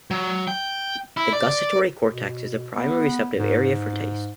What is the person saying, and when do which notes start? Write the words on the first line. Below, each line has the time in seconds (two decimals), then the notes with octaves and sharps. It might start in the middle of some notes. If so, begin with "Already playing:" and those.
The gustatory cortex is the primary receptive area for taste.
0.11 F#3
0.48 G5
1.17 E4
1.33 D5
2.13 B2
2.74 B3
3.39 G#2